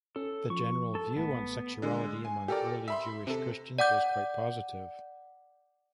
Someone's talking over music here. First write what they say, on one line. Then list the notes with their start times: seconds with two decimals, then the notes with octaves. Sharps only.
The general view on sexuality among the early Jewish Christians was quite positive.
0.16 C#4 A4
0.50 F3 C#6
0.95 A4
1.16 A1 A2 B3 A5
1.82 D3 G#3
2.25 G#5
2.48 G4 A4 A#4 D5
2.88 E5 B5 C6
3.27 C3 A4
3.79 D5 F#5 D6 G6